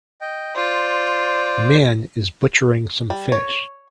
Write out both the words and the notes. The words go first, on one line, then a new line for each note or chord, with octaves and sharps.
A man is butchering some fish.
D#5 G5
F4 C5 D5
G3
C#5